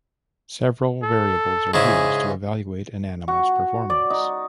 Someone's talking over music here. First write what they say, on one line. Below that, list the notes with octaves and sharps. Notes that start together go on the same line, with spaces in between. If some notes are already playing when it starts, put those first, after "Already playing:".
Several variables are used to evaluate an animal's performance.
A4
G#2 C#3 E4 G#4
F#4
D5
D#4